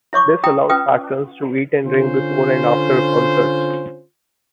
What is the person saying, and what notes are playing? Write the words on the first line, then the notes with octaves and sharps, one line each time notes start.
This allowed patrons to eat and drink before and after concerts.
E4 C#5 C#6 D6
E4 G5 A#5 D#6
C#4 F4 B4 G5 D#6
D3 C#4 F4 C5